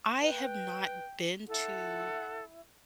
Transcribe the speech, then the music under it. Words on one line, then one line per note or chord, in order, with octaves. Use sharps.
I have not been to
B4 G5
E4 A4 F#5